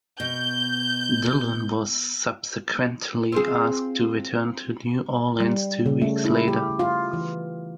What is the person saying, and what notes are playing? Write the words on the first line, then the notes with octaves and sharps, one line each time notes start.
Dillon was subsequently asked to return to New Orleans two weeks later.
B2 G6
C4 F4 G#4
G3
C#3
A3
E4
G4
F4
E3